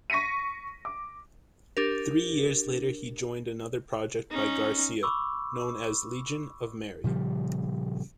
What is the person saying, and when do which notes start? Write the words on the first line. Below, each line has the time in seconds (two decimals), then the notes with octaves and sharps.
Three years later he joined another project by Garcia known as Legion of Mary.
0.10 C#6 A#6 B6 C#7 D#7
0.85 D6
1.77 D4 G4 A#4
4.31 C#4 D#4
5.03 B5 C#6 D6 E6
7.04 A#2 C#3 F3 G3